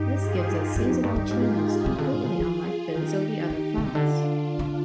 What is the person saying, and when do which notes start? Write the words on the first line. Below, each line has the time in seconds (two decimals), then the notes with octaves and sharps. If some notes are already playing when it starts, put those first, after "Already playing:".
This gives it seasonal changes completely unlike those of the other planets.
Already playing: G2 D#4 G4
0.20 F4 G#4
0.76 G2 D#4 G4
0.89 F2
1.03 G2
1.16 G2
1.31 G#2 F4 G#4
1.86 C3
1.98 D3
2.12 G#2
2.26 F3
2.40 F3 F4 G#4
2.95 D#3 D#4 G4
3.50 D#3
3.78 D3
3.85 C3
3.95 D3
4.05 D4 F4
4.59 D3